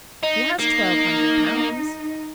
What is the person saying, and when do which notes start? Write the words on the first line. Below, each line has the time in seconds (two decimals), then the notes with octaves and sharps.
"She has twelve hundred pounds."
0.23 D#4
0.60 A#3 D#4